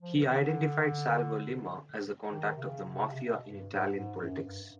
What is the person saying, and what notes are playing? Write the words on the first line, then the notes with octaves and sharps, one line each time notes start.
He identified Salvo Lima as the contact of the Mafia in Italian politics.
F3
E3
D#3
D3
D#3
C3
C#3
C3
C#3
C3
B2
G2
G#2
G#2
F#2
G2